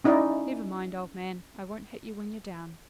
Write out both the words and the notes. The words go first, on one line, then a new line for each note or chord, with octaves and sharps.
Never mind, old man, I won't hit you when you're down.
C#4 D#4 E4 D5 D#5